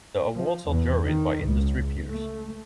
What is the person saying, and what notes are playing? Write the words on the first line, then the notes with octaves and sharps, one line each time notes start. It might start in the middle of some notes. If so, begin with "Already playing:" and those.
The awards are juried by industry peers.
F3
E2
D#3
C#2
A3